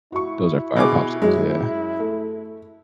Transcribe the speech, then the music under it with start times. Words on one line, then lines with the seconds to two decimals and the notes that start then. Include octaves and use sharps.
Those are fire popsicles, yeah.
0.12 E4 F#4 C#6
0.76 B2 G#4 D6
1.22 F#2 F#3 G#3
2.00 A3